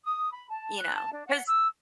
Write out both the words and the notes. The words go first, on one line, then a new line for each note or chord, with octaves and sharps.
You know, 'cause
D#6
B5
A5
F#6
A5
D4
F#5
E6